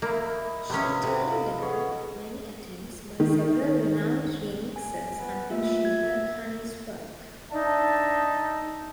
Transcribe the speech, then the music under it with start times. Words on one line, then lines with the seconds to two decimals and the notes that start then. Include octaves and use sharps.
She turned down many attempts by several renowned remixers until she heard Hani's work.
0.02 A#3 D#4 E4
0.70 C3 B3 C#4 E4 F4
1.04 C3 F#4 A4 D#5
1.27 A4 A#4 F5
1.60 C#4 G#4 B4 C#5 D#5 F#5
3.20 D#3
4.76 G#5
5.18 B3
5.50 A3 A#3 F4 E5
5.85 G#6
7.52 D4 D#4 E5 A5